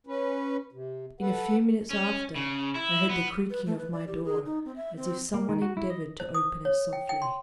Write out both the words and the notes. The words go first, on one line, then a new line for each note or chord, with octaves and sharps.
In a few minutes after, I heard the creaking of my door, as if some one endeavoured to open it softly.
C#4 B4
C3
A4 B4 F#5
C#4
C#3
E4
B3
B4
A3
B4
D5
G4
G#4
D#4
C4
E5
C4
A#3
D#3
F#4
E4
D#5
C5
D#6
C#5
G5
G5
C6